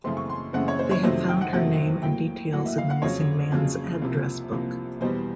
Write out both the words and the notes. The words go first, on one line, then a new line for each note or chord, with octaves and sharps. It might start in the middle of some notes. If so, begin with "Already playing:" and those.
They have found her name and details in the missing man's address book.
F#2 C#3 E3 A3 C4 C6
C#6
C6
F#2 C#3 E3 A3 C4 F#5
C#5
C5
C#5
F2 C3 D#3 F#3 A3 C5
G5
F#5
F2 C3 D#3 F#3 A3 F#5
A2 F#3 A#3 G5
A2 F#3 A#3 F#5
E5
F5
F#5
F2 C#3 F#3 C#5
F2 C#3 F#3
C2 C3 F3 A#3
C2 C3 F3 A#3
E2 B2 G3 B3 C5